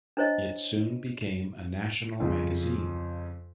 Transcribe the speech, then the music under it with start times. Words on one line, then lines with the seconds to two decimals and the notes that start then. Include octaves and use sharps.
It soon became a national magazine.
0.17 D4 E4 C5 C#5 D#5
2.20 F2 C#3